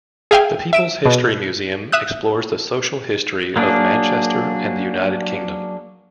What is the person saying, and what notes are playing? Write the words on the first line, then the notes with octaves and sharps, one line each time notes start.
The People's History Museum explores the social history of Manchester and the United Kingdom.
G#4 E5 F5 G5 G#5
E5 D7 E7
B2
E5 D#6 F#6
F#3 A#3 D4 G#4